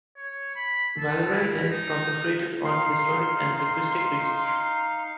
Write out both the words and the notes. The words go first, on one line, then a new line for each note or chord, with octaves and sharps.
Vallerie then concentrated on historic and linguistic research.
C#5
B5
A4
E4
D#4
D#4 F5 C6